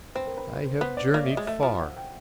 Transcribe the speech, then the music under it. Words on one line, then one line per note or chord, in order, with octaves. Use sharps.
I have journeyed far.
C4 B4
A#4
B4
C5
C5
B3 C5
D5
C#5
A#3 D5
E5
D#5
G#3
A3 E5
F3
F#5
G5